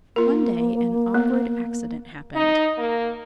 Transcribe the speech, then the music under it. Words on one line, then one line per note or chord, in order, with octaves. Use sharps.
One day an awkward accident happened.
A#3 F4 A#4
B3
D#4
A#3